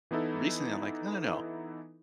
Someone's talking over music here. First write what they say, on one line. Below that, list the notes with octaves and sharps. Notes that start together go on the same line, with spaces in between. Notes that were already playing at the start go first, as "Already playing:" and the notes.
recently, I'm like, "No, no, no,
E3 B3 D#4 E4 A4